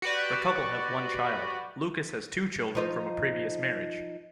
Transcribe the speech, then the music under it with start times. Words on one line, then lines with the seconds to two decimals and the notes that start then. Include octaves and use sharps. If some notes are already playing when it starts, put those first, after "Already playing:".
The couple have one child; Lucas has two children from a previous marriage.
0.02 F#4 G4 B4 D5
2.75 F3 D#4 C5